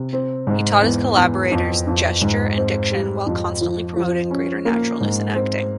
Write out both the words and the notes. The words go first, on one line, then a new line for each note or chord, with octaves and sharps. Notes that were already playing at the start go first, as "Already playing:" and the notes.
He taught his collaborators gesture and diction while constantly promoting greater naturalness in acting.
Already playing: C3
C4
G#2
E2
E2
F2
F2
G#2
C4
G3
F2
F3
F3
C#4
A#3
G#2
C4